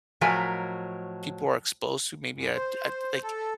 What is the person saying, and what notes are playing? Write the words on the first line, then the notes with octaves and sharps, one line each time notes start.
people are exposed to maybe at at, like
A2 F3 F#3 A#4 D#5 G#5
F#2
C5
A4